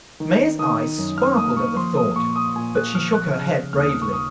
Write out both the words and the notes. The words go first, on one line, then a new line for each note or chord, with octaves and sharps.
Maia's eyes sparkled at the thought, but she shook her head bravely.
D#3
D#3 D#6
F#2
F6
A#3 D#6
C#6
F3 C6
D#6
A#2 C#6
D#6
A#2 G#5
F#6
F3 F6
F#6
C#3 F6
D#2 F6
D#6
F6
C#6
D#6